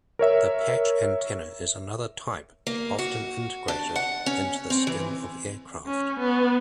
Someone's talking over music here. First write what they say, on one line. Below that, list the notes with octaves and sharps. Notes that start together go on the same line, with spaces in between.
The patch antenna is another type, often integrated into the skin of aircraft.
A#4 C#5 E5
A#3
F#4
D4
F#5
C#4
C4
E3
C#4
B3